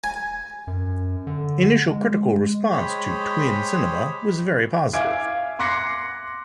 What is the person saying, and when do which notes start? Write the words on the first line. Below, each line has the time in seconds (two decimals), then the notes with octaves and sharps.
Initial critical response to "Twin Cinema" was very positive.
0.04 G#5
0.67 F#2
1.27 D3
1.91 G#3
2.72 G#3 G4 C5 C#5 D#5 B5
4.93 E5 F5 G#5 D6 G#6 D7
5.59 C6 D6 F#6 A#6 C7 C#7